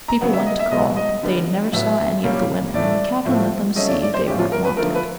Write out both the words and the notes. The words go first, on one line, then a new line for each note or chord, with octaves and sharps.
People went to call but they never saw any of the women and the Captain let them see they weren't wanted.
A#5
C#3 F#3 B3 F#5
E5
D#5
E5
B2 G#3 B3 D#5
D#5
D3 G3 B3
A2 F#3 B3 E5
A#2 G3 A#3 C#4
A2 E3 A3 D5
A2 F3 A3 C4
C#3 F#3 A3 C#4 D#5
D5
D5
C5
A2 F3 G#3 C#4 G4
F4
A#4
B4
D3 F3 A3 A#4
B4